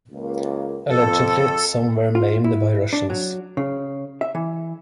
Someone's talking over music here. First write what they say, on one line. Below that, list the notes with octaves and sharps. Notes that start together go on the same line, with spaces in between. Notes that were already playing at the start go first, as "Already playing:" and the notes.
Allegedly some were maimed by Russians.
C#2 A#3
F2 A4
F4
E4
D4
F#3
C#3
E5
E3